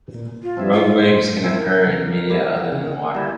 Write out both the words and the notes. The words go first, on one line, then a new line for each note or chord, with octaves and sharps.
Rogue waves can occur in media other than water.
A#2
F4
F3 C4 E4
F4
A#2 C5
F3 C4 E4
A#4
C#3
G3 A#3 E4
C#3
G3 A#3 E4